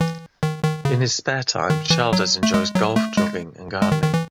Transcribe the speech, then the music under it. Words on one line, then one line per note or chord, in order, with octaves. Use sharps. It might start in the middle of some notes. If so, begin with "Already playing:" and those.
In his spare time, Shalders enjoys golf, jogging and gardening.
E3
D#3
D#3
C#3
D#3
E3
F#3
A3
G#3
F#3
A3
G#3
G#3
D#3
D#3
E3